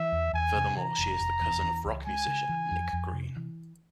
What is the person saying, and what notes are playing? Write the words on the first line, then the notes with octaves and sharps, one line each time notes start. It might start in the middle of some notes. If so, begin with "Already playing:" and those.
Furthermore, she is the cousin of rock musician Nicke Green.
Already playing: E3 E5
E2
E2 G#5
C3
E3 A#5
F1
F1
E2
E3
C#2
G#3 G#5
C#3
E3
F2
F2
C3
E3